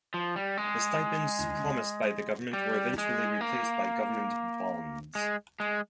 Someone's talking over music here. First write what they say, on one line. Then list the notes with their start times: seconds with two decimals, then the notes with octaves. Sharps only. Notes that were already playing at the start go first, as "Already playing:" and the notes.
The stipends promised by the government were eventually replaced by government bonds.
0.14 F3
0.36 G3
0.57 G#3
2.53 G3
2.98 G#3
3.41 A#3
5.15 G#3
5.60 G#3